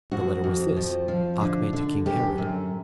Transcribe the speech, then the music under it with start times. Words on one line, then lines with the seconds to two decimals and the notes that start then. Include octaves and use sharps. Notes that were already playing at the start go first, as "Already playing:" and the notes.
The letter was this: 'Acme to king Herod.
0.11 F2 F#4
0.44 F2
0.77 F3
1.08 F3
1.41 D3
1.73 D3
2.06 F#2 G4
2.38 F#2